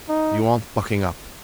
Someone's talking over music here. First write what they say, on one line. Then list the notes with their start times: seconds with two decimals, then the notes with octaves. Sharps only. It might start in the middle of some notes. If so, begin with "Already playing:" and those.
You want bucking up.
0.09 D#4